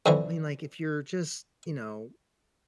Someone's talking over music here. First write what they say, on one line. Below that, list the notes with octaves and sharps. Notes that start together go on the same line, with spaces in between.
I mean, like, if you're just, you know,
F2 D3 E3